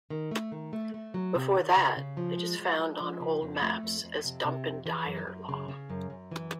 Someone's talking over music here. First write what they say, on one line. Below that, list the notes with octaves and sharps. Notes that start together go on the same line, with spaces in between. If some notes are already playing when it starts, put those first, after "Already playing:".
Before that, it is found on old maps as Dunpendyrlaw.
D#3
A3
D#3
A3
A3
F#3
C3
D#3
C#3
C#3
F3
G#3
F3
G#3
F3
C#3
F2
A3
F2
F2
C3
C3
F2
E3
F#2
F#2
C#3
C#3
F#2
F#2
E3